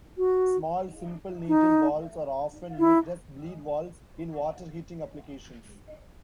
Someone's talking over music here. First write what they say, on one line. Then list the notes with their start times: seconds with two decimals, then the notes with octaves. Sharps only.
Small, simple needle valves are often used as bleed valves in water-heating applications.
0.18 F#4
1.48 D#4
2.79 E4